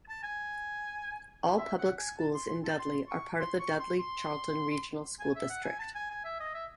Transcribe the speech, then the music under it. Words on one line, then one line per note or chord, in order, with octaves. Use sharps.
All public schools in Dudley are part of the Dudley-Charlton Regional School District.
A5
G#5
E5
F#5
G#5
A5
C6
C6
A5
C6
C#6
C6
C#6
C6
C6
G#5
E5
F#5
G#5
A5
G#5
G#5
E5
D#5
E5